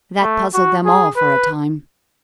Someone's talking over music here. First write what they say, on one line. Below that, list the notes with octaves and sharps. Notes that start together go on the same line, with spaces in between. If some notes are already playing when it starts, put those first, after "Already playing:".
That puzzled them all for a time.
A3
F#4
G#4
B4